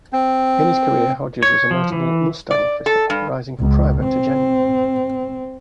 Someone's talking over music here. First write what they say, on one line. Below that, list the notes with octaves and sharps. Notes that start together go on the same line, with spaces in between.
In his career Hodges was a notable "mustang" officer, rising from private to general.
C4
C#5
F3
E3
D5
A4
G2
C#2
C4